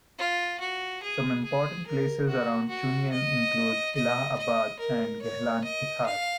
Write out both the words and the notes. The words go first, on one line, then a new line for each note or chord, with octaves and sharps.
Some important places around Chunian includes Ellah Abad and Gehlan Hithar.
F4
F#4
G#4
G#4
A#4
F#4
F#4
D#5
D#5
D#5
A#4
C#5
D#5
F5